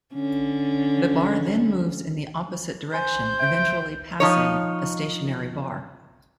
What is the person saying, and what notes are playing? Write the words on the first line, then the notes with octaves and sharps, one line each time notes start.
The bar then moves in the opposite direction, eventually passing a stationary bar.
D3 C#4
C5 G#5 G6
E5 G5
F3 D#4 C#5